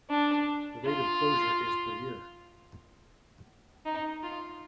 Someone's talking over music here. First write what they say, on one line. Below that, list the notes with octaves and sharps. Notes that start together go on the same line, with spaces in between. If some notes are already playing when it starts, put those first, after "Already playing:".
The rate of closure is per year.
D4
F4
D#4
F4